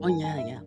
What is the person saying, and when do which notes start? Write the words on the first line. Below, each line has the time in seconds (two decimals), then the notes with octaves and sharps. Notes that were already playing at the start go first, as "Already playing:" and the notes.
Oh, yeah, yeah.
Already playing: G2 D#3 A#3
0.09 G#5
0.24 G#5
0.38 E5